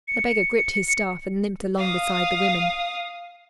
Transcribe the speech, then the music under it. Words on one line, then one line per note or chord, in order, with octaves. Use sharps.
The beggar gripped his staff and limped along beside the women.
C#7
F5 D#6